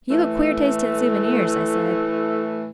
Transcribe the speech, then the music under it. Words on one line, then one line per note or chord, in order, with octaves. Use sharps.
'You've a queer taste in souvenirs,' I said.
A2 E3 A3